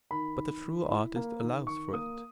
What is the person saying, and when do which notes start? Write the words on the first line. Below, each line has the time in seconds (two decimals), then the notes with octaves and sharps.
But the true artist allows for it.
0.11 D#3 B5
0.37 D#3
0.63 D#3
0.89 E4
1.16 A#3
1.42 D#3
1.67 D#3 C#6
1.93 A#3 D#6